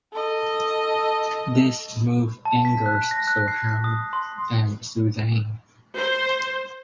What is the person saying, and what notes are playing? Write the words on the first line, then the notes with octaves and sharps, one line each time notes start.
This move angers Soham and Suzanne.
A4 D#5
A5
B6
F#6
A#6
F#6
C7
D#6
C6
C5